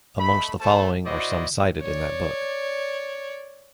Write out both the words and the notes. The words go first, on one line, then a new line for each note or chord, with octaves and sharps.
Amongst the following are some cited in that book.
A3 D#5 B5
A3 A4 C5 A5
E4 F#4 C5 D5 D#5
C#5 D5